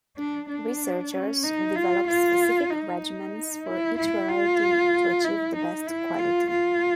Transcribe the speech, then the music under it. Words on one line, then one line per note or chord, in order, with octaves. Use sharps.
Researchers develop specific regimens for each variety to achieve the best quality.
D4
D4
C#4
D#4
F4
F4
D#4
E4
E4
F4
E4
D#4
E4
F4
F4